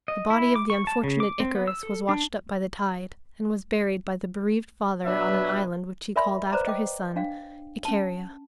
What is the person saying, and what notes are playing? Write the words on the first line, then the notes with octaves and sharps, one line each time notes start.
The body of the unfortunate Icarus was washed up by the tide, and was buried by the bereaved father on an island which he called after his son, Icaria.
D#5
E4
D6
C#6
A5
C#3
D6
C4
B3
E6
A4
D4
B2 F#3 D4 B4 E5
A#4 D5 E5 G#5 B5 C6
B4 C5 D5 A#5 D6
D#5 G5 D6
D4 F5 G5
C#4 A5